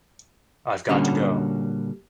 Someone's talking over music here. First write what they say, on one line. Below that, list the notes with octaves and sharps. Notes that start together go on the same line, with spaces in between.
I've got to go.
A#2 D3 G3 C#4 F#4